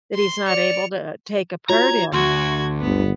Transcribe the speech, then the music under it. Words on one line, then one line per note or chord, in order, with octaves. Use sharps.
that he's not able to, uh, take a part in.
C6
D5 C#7 F7
F4 F#4 C#5 A#5 G#6
D2 F#4 C6 G#6
G1 B3